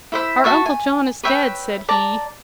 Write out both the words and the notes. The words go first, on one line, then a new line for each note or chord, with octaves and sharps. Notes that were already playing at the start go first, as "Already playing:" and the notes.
"Our uncle John is dead," said he.
E4 C5 E5
F#4 E5 A5 C#6
G#5
B4 C#5 E5 G5
D5 A5 A#5